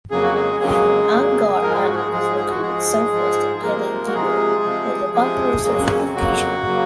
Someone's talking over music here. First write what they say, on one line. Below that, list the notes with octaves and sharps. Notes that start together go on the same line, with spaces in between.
Angaur Island is located southwest of Peleliu, and it is a popular surfing location.
F2 C#3 F#3 A#3 G#4
F#4
G#3 G#4
F2 C#3 F#3 G#3 A#3 G#4
F2 C#3 F#3 A#3
G#2 F3 G#3 A#4
G#4
F#4
G#3 G#4
G#2 F3 G#3 G#4
G#4
F#4
G#2 F3 G#3 G#4
G#2 F3 G#3
G#4
C3 F3 G#3 A#3 A#4
F#4
C3 F3 G#3 G#4
C3 F3 G#3
C3 F3 G#3 G#4
F2 C#3 F#3 G#3 A#3 G#4
C#3 C#4
C4
F2 C#3 F#3 A#3 F#4
C#3 F#3 A#3